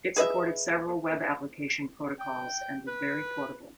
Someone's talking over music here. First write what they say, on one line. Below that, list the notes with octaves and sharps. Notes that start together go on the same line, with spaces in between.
It supported several web application protocols and was very portable.
G#4 B4 D#5 E5
G5
B4